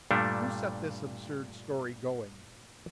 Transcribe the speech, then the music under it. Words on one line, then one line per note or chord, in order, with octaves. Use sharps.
"Who set this absurd story going?"
G2 A#2 G3 A3 D4 A4